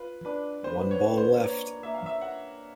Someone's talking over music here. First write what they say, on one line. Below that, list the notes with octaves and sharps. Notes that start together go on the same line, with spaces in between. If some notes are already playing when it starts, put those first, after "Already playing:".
One ball left.
Already playing: F4 B4
D4 B4
B3 C5
C#5
B3
C5
A#3 C#5
A#3 E5
F5
E5
A#4 F#5